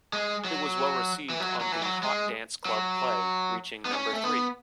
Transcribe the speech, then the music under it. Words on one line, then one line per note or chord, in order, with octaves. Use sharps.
It was well received on the Hot Dance Club Play, reaching number three.
G#3
F#3
E3
F#3
F#3
E3
F#3
G#3
F#3
B3
C#4
A3
B3